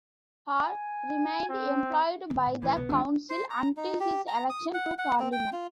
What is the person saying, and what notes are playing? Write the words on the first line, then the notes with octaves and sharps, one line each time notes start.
Hall remained employed by the council until his election to Parliament.
G#5
C4
G2 D3
A2
A1 A2 D3 E3 B4
B1 C#3 B3
D2 D3 D#3 G#3 C4 F4
C5
A#5
D#4
G4
A#5
D#6
F#5
F#5
C4
G5
F4